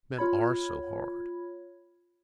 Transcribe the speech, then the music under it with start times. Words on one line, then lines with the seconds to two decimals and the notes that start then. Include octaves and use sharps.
Men are so hard!
0.17 F4 C#5 B5 G#6